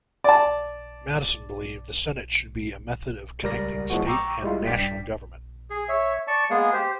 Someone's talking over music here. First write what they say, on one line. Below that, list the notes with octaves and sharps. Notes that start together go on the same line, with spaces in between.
Madison believed the Senate should be a method of connecting state and national government.
D5 A5
C#2 G3 A#4 D5 A#6
A2 E3 F3 G#3 B3 F#4
G5 A#5 C#6 D6 E6
G3 G#3 E4 F4
G2 D5 G5 B6
G#4
C#5 E5
D5 A5 C#6
G#3 A#3 B3 G#4
G4 C5